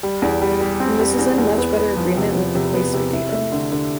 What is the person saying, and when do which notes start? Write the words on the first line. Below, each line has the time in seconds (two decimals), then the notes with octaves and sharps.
This is in much better agreement with the quasar data.
0.03 G3
0.22 E2
0.42 G3
0.61 G3
0.80 C4
1.00 G3
1.19 E2
1.38 E2
1.58 B3
1.77 B3
1.97 F3
2.17 C3
2.35 F3
2.55 C3
2.74 B3
2.93 C3
3.13 E4
3.32 A3
3.52 D3
3.72 D3